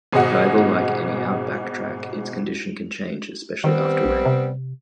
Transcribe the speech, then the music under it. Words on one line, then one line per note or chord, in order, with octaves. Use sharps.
However like any outback track, its condition can change, especially after rain.
G#1 B2 G#4 D#5 F#5
D#3 G3 B3 C4
A#1
C3